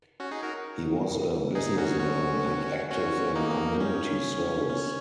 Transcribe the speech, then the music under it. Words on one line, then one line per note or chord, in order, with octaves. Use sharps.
He was a businessman and active in community service.
C#4 F#4
D#4 G#4
F#4 A#4
D#4 G#4
C#4 F#4
C#4 F#4
C#4 F#4
A#3 D#4
C#4
C#4